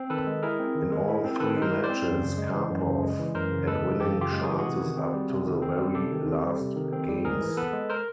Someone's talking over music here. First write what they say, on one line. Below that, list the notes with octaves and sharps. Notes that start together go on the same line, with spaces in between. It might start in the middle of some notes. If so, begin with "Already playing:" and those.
In all three matches, Karpov had winning chances up to the very last games.
Already playing: C4
D#3 A4 B4
G#3
E4 G#4 A#4
C4
D#3
G#3
E4
C4
D#3 A4 B4
G#3
A#4 C5
E4
C5 D5
C4
F#2
C#3
G#3
E3
F#2
C#3
G#3
E3
F#2 A#4 C5
C#3
G#3 A4 B4
E3
F#2 G4 A4
C#3
F4 G4
G#3
G#4
E3 G4
F#4 G#4
C3
D#3
C4
G3
C3
D#3
C4
G3
C3 G4 A4
D#3
C4
G3
C3
D#3
C4
G3
G#2 G#4 A#4
E3
B3 A4 B4
G#3
A#4 C5